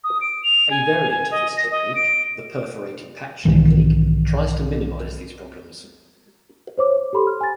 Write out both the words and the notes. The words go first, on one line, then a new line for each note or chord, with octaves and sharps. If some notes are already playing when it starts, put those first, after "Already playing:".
A variant of this technique, the "perforated patch" technique, tries to minimise these problems.
D#6
D7
F7
G#5
G#5
D#5
A#6
D#5
D7
B1 G#2 D#3 E3
C5 C#5 D6
C#5
G4 A4 B5 C6
F6
G#5 A6